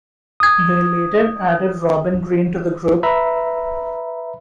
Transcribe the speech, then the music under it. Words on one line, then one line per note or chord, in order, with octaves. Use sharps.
They later added Robin Green to the group.
D#6 G#6
B4 E5 A#5 B5